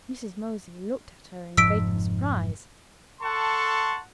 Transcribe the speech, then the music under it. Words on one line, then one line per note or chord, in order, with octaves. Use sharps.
Mrs. Mosey looked at her in vacant surprise.
F1 G#2 F3 E6 B6 D7
A4 F#5 A5 C6 C#6